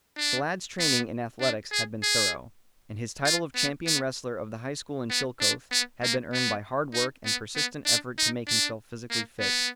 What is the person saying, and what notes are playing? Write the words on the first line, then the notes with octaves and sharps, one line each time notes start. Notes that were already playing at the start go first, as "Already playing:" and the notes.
The lad's training in athletics had been thorough, and his title of champion wrestler of the high school in Chillicothe had been earned by hard work and persistent effort to make himself physically fit.
D4
B3
D4
G#4
G#4
F4
B3
B3
B3
D4
B3
A#3
B3
D#4
B3
B3
D4
D#4
D4
A#3
B3